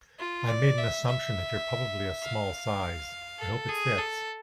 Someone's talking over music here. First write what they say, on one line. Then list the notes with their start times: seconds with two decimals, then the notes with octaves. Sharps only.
I made an assumption that you're probably a small size, I hope it fits!.
0.19 F4
0.48 D5
0.78 E5
1.06 E5
2.23 F5
3.39 A4
3.69 G#4
3.98 A4